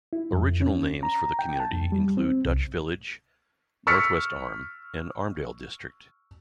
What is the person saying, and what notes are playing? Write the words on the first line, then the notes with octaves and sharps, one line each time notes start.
Original names for the community included Dutch Village, North-West Arm, and Armdale District.
E4
F2
C#4
A#5
G5
A5
F2
G3
C4
C2
C#6 E6 F6 A6 B6 C#7